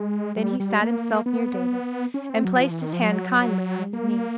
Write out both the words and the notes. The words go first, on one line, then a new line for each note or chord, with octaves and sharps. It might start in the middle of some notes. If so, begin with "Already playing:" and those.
Then he sat himself near David and placed his hand kindly on his knee.
Already playing: G#3
G3
G3
A#3
B3
C#4
C4
F#3
F3
E3
D#3
F3
F#3
A#3